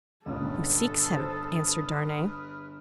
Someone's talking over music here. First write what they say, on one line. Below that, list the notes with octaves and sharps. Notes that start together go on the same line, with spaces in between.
"Who seeks him?" answered Darnay.
G1 C#2 A#2 C#4 A4 B4 D#6 F6
C5